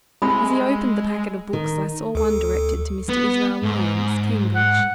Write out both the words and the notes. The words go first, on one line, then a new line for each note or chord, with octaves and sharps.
As he opened the packet of books, I saw one directed to Mr. Israel Lyons, Cambridge.
C2 G#3 B5 D#6
D#3
D2 A4
B3
G#2
F#5